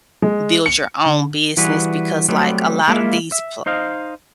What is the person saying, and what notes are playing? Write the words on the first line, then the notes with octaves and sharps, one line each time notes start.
build your own business because like a lot of these pl
G#3
C#7
D3
E3 G3 F#4 G#4 B4
F#3 G3 A3 B3 C4
G#3 A#3 C#4 E4 F4 E5
E5
D#4 C5 D#5 F5